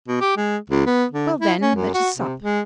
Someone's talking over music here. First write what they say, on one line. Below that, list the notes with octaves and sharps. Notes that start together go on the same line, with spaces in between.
"Well, then, let us sup."
B2
G4
G#3
C#2
B3
D3
E4
C#4
F#2
F#4
C3
G#3